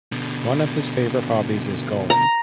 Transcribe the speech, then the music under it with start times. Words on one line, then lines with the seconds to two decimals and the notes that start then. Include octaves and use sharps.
One of his favorite hobbies is golf.
0.12 B2 D3
2.10 A#5